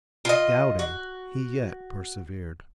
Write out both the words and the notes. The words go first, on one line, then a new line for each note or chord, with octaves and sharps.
Doubting, he yet persevered.
F4 D#5
F#4